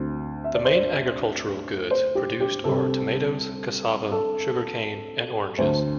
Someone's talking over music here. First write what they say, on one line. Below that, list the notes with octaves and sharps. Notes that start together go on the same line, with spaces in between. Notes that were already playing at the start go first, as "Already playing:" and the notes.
The main agricultural goods produced are tomatoes, cassava, sugarcane and oranges.
Already playing: D2 D3 C4
E5
D5
C5
D5
C5
G4
G4
C2 C3 G3 C4 A4
A4
D2 D3 A3 C5